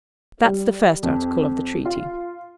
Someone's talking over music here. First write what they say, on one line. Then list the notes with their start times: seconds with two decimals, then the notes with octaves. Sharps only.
That's the first article of the treaty.
0.44 G3
1.03 F2
1.85 F4